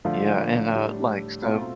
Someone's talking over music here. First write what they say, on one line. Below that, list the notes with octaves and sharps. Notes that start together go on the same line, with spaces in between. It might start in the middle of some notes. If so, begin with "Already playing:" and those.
Yeah. And, uh like, so
D3 F3 A3 D4 F4
A2 G3 D4
B2 A3 C4 F4